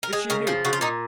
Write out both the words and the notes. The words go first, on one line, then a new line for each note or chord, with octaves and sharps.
If she knew!
A#4
G#3 G#4
C#3 A#4
F3 G#4
C#3 F#4
F4
A#2 D#4